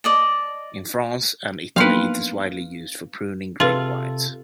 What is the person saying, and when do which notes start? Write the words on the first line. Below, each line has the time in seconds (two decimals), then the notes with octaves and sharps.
In France and Italy it is widely used for pruning grape vines.
0.04 D5 D#5 A5
1.76 F3 F#3 A#3 B3 D4 D#4 B4 F5
3.60 C3 F4 G#4 A4 B4